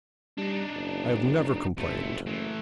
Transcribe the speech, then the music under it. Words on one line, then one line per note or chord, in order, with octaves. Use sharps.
I have never complained.'
G3 D4 D#4
F#1
F#1 C3 A3
A2 E3